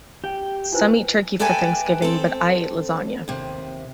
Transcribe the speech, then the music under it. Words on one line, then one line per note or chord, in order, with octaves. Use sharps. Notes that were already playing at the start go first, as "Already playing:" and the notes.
Some eat turkey for Thanksgiving, but I ate lasagna.
G4 G5
E4 F4 B4 C5 G#5
G4 A4 B4 E5 G5 G#5
C4 A4
D#2 C3